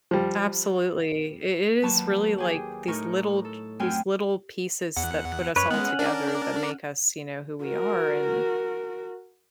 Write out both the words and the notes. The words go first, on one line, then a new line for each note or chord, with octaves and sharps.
absolutely, i it is really like these little j these little pieces that put us all together that make us, you know, who we are and
F3 G3
D#2 F#3 B4 A5 C#6
G4 G#4 G#5
A2 D#4 A#4 C#6
A4
F#2 A3 C4 G5 G#5 F6
E2 F#5
F#2 B4 C#5
G#3 B3 C#4 F#5
D4 A#4 D5
F#4 A#4